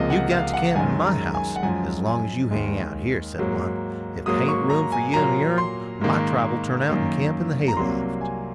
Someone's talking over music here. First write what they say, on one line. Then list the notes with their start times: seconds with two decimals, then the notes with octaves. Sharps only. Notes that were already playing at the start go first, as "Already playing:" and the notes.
"You got to camp in my house as long as you hang out here," said one. "If tha hain't room for you and yourn my tribe'll turn out and camp in the hay loft."
Already playing: C#2 C3 F3 A#3 D#5
0.10 F#5
0.32 F5
0.54 F#5
0.75 F#2 D#3 G#3 G#5
1.05 A#5
1.34 G#5
1.56 F#5
1.63 F#2 F3 G#3 G#5
2.07 G#5
2.51 D#2 D#3 G#3
3.39 G#2 F#3 A#3
4.26 G#2 F#3 A#3 D#6
4.49 C#6
4.70 A#5
4.92 G#5
5.14 A#2 F#3 A#3 A#5
5.58 C6
6.01 G#2 D#3 A#3
6.89 F#2 D#3 A#3
7.68 A#5
7.77 C2 C3 F#3 A#3 C6
8.21 G#5